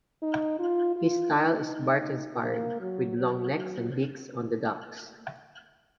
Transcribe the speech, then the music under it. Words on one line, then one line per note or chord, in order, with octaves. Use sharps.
His style is Barks-inspired, with long necks and beaks on the ducks.
D#4
F4
F4
D#4
A#3
F#3
F#3
F#3